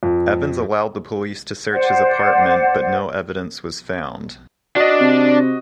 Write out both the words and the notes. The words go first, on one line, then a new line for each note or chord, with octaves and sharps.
Evans allowed the police to search his apartment but no evidence was found.
F2
C5 D5 F#5
D4 F#4 D5 D#5
C3